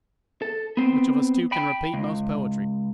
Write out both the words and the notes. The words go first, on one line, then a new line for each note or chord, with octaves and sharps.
Which of us two can repeat most poetry?
A4
B3 C4
G5 B5
C#2